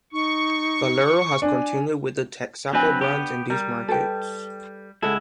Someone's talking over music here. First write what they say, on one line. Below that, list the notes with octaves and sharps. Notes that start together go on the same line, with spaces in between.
Valero has continued with the Texaco brand in these markets.
D#4 C#6
D4 G#5
F#3 C4 D4 B4 G#5
B3 G4
G3 A#4
A4 B4 G5
C#2 G#3 E4 A4 F#5